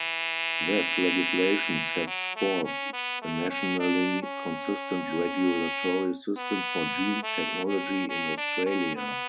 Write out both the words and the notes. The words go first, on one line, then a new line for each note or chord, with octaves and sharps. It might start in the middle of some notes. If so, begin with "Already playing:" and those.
This legislation sets forth a nationally consistent regulatory system for gene technology in Australia.
Already playing: E3
F#3
A3
C#4
B3
A3
C#4
D4
C#4
B3
A3
C#4
C#4
D4
C#4
B3